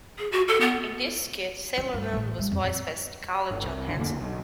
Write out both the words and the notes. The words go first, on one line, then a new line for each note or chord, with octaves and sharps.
In this skit, Sailor Moon was voiced by Scarlett Johansson.
G#4
F#4
A4
B3
C#3
G2
A1
G3
F2
F2
G1
C2
G1 C#2 D3
C2 F2 D3 A#3
B1